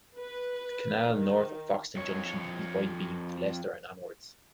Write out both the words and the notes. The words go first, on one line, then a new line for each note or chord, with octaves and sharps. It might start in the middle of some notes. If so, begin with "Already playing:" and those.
The canal north of Foxton Junction is wide-beam to Leicester and onwards.
B4
D#3
F2 C#5